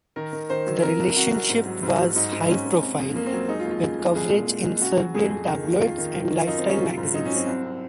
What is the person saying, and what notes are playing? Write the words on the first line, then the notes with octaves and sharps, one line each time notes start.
The relationship was high profile with coverage in Serbian tabloids and lifestyle magazines.
D#3 A#4
D#3
D#3 C5
F#3
C3 A#4
C2
C3 F#4
C2
G#2
F#3
G#2
F#3
G#2 D#4
G#2
G#2 C#4
G#2
C3
F2
F2 A#3
C4
F#3
G#3 D#4
F4
D#2
F4
C#3
G#3
C2 G#4
A#2
G#3
G#3
C#3 F#4
F#3
F2 G#4
F2
D#3
D#2
D#3 F4
D#3
D#3
D#3
F4
F#2 D#4
C4
F#2
C#4
F#3 F4
G#2
F#3 D#4
C#4
F#3
C4
C2
C3